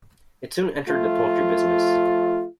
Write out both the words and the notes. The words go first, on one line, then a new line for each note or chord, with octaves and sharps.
It soon entered the poultry business.
F3 A3 F4